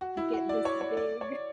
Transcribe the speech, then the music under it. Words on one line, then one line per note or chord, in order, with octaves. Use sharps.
get this big,
F#4
E4
F#4
D5
C#5
C#5
D5
C#5